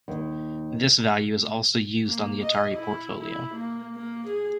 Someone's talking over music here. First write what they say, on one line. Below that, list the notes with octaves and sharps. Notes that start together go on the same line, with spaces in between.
This value is also used on the Atari Portfolio.
D#2
A#3
D#5
E4
E4
A#3
A#3
G#4